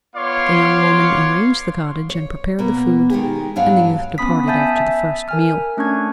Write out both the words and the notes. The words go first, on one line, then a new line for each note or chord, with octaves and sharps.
The young woman arranged the cottage and prepared the food, and the youth departed after the first meal.
B3 F4 C#5 F5 C6 D6
C#5
B2 A#3 B3
D#3 G#3 G4 G#4
G2 F#3 D4 C#5 F5
B3 C#4 B5 D#6 B6
E5 G#5 A5 G6 A6 B6
E5
A#4 G#5 F6
A3 C#4 D4 C#6 G#6